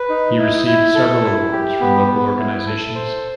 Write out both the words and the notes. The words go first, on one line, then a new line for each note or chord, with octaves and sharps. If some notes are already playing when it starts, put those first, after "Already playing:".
He received several awards from local organizations.
Already playing: B4
D#4
E4
E4
A4
E4
G4
B3
B3
E4
A4
C5